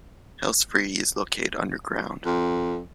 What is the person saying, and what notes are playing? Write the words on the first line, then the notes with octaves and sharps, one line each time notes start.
Helsfyr is located underground.
F2